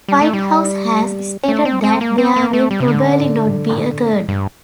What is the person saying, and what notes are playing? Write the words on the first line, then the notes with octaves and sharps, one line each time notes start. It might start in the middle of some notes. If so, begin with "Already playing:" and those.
Whitehouse has stated that there will probably not be a third.
G3
A3
G3
A3
C4
C4
A#3
C4
A#3
A3
G3
C3
D3
G2